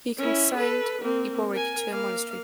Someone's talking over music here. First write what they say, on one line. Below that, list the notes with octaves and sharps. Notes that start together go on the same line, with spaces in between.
He consigned Eboric to a monastery.
C#4 E4
A4 B4
A#3 C4
A#4 G#5
A#3 F5